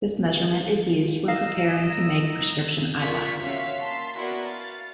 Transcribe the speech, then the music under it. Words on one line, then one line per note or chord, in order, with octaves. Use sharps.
This measurement is used when preparing to make prescription eyeglasses.
D#5 F5 A#5 E6
F4 A#4 D5 C#6 B6
C#4 F#4 E5 F5 B6
A#3 A5 C6 B6 C7
B3 E4 F#4 A#4 B4 D5
F5 A6